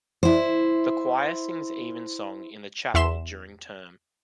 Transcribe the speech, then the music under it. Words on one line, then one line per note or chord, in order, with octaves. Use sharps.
The choir sings Evensong in the chapel during term.
E4 C5
E2 E5 C6 E7